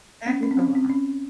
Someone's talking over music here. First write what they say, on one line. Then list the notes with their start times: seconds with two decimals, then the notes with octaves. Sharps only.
That is a lot.
0.27 C#4
0.43 C#4
0.51 C4
0.59 C#4
0.75 C4
0.90 C#4